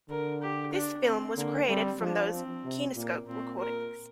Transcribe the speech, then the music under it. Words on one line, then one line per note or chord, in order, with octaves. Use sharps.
This film was created from those kinescope recordings.
D3 A#4
G4
D4
C4
D3 A#3
G3 C4
F3 D4
C4
C3
A#2 A#3
A#2 C4
A#4